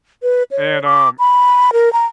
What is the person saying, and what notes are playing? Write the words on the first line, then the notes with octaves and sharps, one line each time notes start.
and, um,
B4
C#5
D6
B5
A#4
A#5